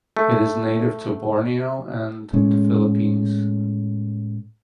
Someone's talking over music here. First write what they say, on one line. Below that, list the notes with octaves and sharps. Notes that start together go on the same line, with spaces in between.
It is native to Borneo and the Philippines.
A3
A2 G#3 C#4